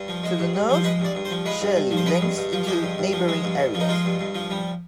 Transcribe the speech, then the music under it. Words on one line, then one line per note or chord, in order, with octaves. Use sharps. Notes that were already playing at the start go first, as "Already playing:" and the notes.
To the north, Shirley links into neighbouring areas.
Already playing: G2
F3
G#3
G2
G2
F3 C5
G#3 B4
G2 D5
G2
C5
F3
G#3 B4
G2
G2
F3
C5
G#3 B4
G2
G2
F3
G#3 G4
G2
G2
F3
G#3
G2
G2
F3
D#4
G#3 F4
G2
G2
F3
G3